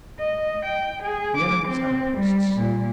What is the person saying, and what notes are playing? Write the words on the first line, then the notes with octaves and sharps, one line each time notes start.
We entered its outposts.
D#5
G5
G#4
D6
C4
G3
A#2